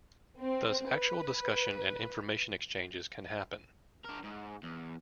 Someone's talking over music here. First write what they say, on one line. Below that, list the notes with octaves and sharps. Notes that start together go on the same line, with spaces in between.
Thus, actual discussion and information exchanges can happen.
C4
B4
D4 A#4
G#2
E2